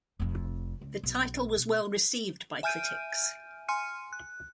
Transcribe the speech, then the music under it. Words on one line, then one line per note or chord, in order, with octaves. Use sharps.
The title was well received by critics.
F1 F2
C#2
B1
B2
E5 G#5 F6 G6 D7 D#7
G#5 C6 F6 C#7 D#7
F#6